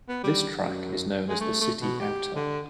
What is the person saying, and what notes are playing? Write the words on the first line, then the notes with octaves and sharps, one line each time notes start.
This track is known as the "City Outer".
B3
G3
F#2
G#3
A3
A3
B2
G4
D3